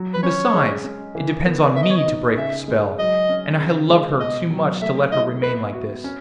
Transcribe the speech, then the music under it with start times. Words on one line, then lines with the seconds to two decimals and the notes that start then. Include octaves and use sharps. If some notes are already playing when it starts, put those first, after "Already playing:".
And besides, it depends on me to break the spell, and I love her too much to let her remain like this.'
Already playing: F#3
0.14 B4
0.23 C#4 C#5
0.54 G#3
0.84 C#4
1.15 E3
1.46 B3
1.76 B3 E5
1.83 D#5
1.91 C#5
1.97 D#5
2.06 D#4
2.37 C#3 E5
2.68 G#3
2.99 F#3 D#5
3.29 C#4
3.60 C#3
3.89 G#3
4.20 B2 D#5
4.50 F#3
4.81 A3 E5
5.12 E4 D#5
5.43 B3 B4
5.73 F#4
6.04 C#4